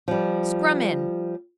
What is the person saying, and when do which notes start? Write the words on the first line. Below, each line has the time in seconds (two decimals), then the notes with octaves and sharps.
Scrum in.
0.08 F3 G3